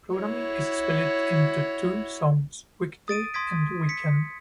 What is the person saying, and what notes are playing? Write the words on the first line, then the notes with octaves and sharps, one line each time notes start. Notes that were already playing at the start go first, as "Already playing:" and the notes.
Programming is split into two zones - weekday and weekend.
E4 F#4 C#5
D#6 A6 D7 D#7
C6 D#6 G#6 B6 D7
B6 C#7